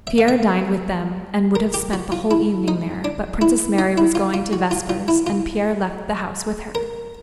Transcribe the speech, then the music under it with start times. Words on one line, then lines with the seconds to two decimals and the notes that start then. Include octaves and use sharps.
Pierre dined with them and would have spent the whole evening there, but Princess Mary was going to vespers and Pierre left the house with her.
0.07 E5
0.18 F5
0.28 E5
1.55 A#4
1.74 G4
1.93 F#4
2.12 F4
2.31 E4
2.68 D#4
3.04 D4
3.42 E4
3.79 D#4
3.98 E4
4.15 F4
4.34 F4
4.53 F#4
4.71 F4
4.89 F4
5.08 E4
5.27 F4
6.75 A#4